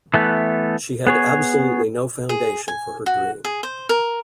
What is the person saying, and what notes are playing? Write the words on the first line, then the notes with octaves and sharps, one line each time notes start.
She had absolutely no foundation for her dream.
E3 A3 B3
B3 G#4 C#5
G#4
G#5
F#4
G#4
C5
A#4